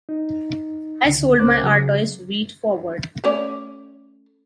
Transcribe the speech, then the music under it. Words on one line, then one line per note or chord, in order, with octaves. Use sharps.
I sold my Artois wheat forward.
D#4
C#2 D3
C#2 C#4 A#4 C5 D6 F#6
C#3 F#3 G#4
A3 C#4 D5